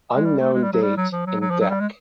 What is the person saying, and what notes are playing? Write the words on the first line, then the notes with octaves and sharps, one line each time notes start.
Unknown date in Dec.
G#3
G3
A3
G#3
G3
F#3
G3
F#3
F3
F#3
F#3
F3
F#3
G3
G#3